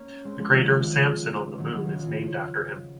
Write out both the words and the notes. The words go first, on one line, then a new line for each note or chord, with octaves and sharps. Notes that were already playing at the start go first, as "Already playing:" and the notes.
The crater Sampson on the Moon is named after him.
Already playing: A#3 C#4
G#3 C4
F3 G#3
D#3 F#3
C#3 F3
D#3 F#3
D#3 F#3
C#3 F3
C#3